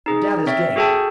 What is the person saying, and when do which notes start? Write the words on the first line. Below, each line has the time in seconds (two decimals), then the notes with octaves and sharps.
But dad is game.
0.06 D#4 G#4
0.47 C4 C#5 E5
0.76 F#4 G#4 A4 G5 A5